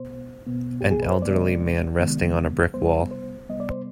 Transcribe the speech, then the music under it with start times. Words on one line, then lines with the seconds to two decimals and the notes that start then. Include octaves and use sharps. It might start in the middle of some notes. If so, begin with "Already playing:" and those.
An elderly man resting on a brick wall.
Already playing: B2 B3 C5
0.46 B2 B3
0.81 G4
0.91 G#4
1.02 B4
1.12 C5
1.22 C3 D#3 G#3 B3 D5
1.98 C3 D#3 G#3 B3
2.74 C3 G3 B3 C5
3.11 C5
3.49 C3 G3 B3 D#5
3.60 D5
3.70 C5